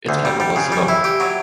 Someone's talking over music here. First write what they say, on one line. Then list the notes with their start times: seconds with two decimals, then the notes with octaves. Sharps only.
Its capital was Savona.
0.09 D2
0.25 G3
0.40 G3
0.56 C#3
0.72 G3
0.88 E4
1.04 G4
1.20 F#3